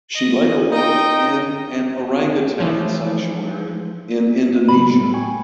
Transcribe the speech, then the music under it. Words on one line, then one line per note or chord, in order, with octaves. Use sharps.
She later worked in an orangutan sanctuary in Indonesia.
D#5
D#4 D#5 G5
E3 F3
A2 C#3 F#3 B5
A2 G3
G5 G#5 C#6